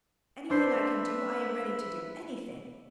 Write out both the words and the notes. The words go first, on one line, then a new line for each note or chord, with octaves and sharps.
Anything I can do, I am ready to do anything!
D4 B4 C5 E5 C7